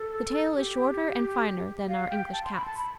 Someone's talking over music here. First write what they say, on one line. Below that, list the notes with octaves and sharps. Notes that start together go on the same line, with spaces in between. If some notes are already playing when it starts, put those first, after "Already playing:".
The tail is shorter and finer than our English cats.
Already playing: A4
G4
F5
G5
A5
C6
B5
A5
B5